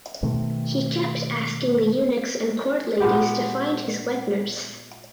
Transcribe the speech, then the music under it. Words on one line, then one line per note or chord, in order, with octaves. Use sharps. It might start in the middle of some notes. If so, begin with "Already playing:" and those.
He kept asking the eunuchs and court ladies to find his wet nurse.
B2 D#3 A3 C4
A#2 G#3 B3 G4